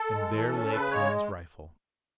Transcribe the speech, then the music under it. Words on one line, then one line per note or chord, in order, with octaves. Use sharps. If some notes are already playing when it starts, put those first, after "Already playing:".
And there lay Kloon's rifle.
Already playing: A4
G#3
E3
C#4
C#3 B4
G#3 C#5